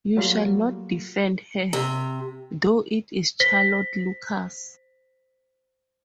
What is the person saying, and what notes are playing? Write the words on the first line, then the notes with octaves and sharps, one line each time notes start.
You shall not defend her, though it is Charlotte Lucas.
F#3 G3 A3 A#3 F4 F#4
C3
C5 A#6 B6 G7